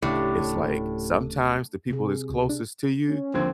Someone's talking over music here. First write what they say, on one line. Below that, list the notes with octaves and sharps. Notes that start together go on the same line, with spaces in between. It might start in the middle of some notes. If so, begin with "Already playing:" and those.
It's, like, sometimes the people that's closest to you
D1 A2 C#3 A3 D4 G4
C3 G#4
C#2
D4
C#4
D#2 D3 F3 C4 G#6